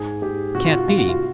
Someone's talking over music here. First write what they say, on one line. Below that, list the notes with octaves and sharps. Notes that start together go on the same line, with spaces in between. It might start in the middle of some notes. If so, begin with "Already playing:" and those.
Can't be.
Already playing: G#2 G#4
G#2 G4
C3 F#4
F4
F#4
G3 F4
F#4
F4